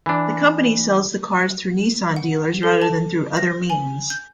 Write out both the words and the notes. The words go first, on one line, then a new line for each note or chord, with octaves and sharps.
The company sells the cars through Nissan dealers rather than through other means.
E3 D4
F#5
A4
A5
A#6
G#5
G6